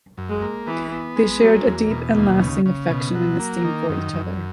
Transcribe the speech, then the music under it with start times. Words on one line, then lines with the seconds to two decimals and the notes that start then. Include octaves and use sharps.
They shared a deep and lasting affection and esteem for each other.
0.18 F#2
0.29 G#3
0.42 A#3
0.67 E3 B3
0.92 B3
1.16 G#3
1.41 F#3 A#3
1.66 E2
1.90 B2
2.15 D#2 A#3
2.40 C#3
2.66 C#3
2.90 B2
3.15 F#3
3.39 A#3
3.64 D#3
3.89 F#2
4.13 F#2